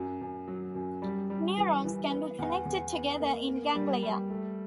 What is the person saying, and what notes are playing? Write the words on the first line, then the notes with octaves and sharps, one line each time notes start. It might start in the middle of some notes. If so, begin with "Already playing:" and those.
Neurons can be connected together in ganglia.
Already playing: F#2
F#2
F#3
F#2
G3
G3
E3
E3
B3
E2
E2
B3
A#3
A#3
G3
G3
A3